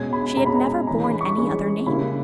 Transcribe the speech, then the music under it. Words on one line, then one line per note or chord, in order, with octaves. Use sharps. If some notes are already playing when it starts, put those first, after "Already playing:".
She had never borne any other name.
Already playing: B2 G#3 C#4 G#6
B5
B2 G#3 C#4 A#5
B5
A#5
E3 G#3 C#4 A#5
B5
C#6
E3 G#3 C#4
C#3 G3 A#3 C#4 E4 B5